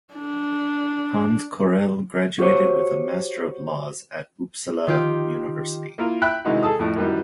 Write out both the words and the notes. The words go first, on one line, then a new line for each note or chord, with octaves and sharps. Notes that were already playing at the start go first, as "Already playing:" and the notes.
Hans Corell graduated with a Master of Laws at Uppsala University.
D4
F#4 G4 C5 C#5
D#3 F4 G4
A#3 E4 F4 A#4
E5 G5 B5 F#6
C3 D#3 E3 G#3 D#4 F#4
G#4 A4 A5 D#6
F2 A2
F#2 D#3 E3 F#3 G3